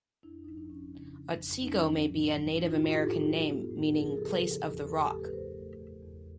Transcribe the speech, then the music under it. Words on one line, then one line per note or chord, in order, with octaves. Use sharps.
Otsego may be a Native American name meaning "place of the rock".
F2 D4 E4
F3 D#4
D4
F3 C#4
C#3
F3
F2
F2 C#4 D#4
F3
A2
F#3
A2 D4 E4
D#4 F4
A2 E4 F#4
F4 G4
A2 G4 A4
F#3
B3
A2
F3 G#4 A#4
G#4 A#4
C#3 G4 A4
A4 B4
F3
E2
E2 G4 A4
A3 G4 A4
A4 B4
E2 A#4 C5
A3
E2
E2